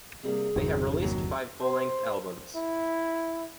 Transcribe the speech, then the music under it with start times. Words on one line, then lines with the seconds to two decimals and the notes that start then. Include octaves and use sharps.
They have released five full-length albums.
0.23 C3 G3 A#3 G#4
0.56 G1 E2 C3 D#3 F#3 C4
1.02 D#2 F#3
1.62 C5
2.55 E4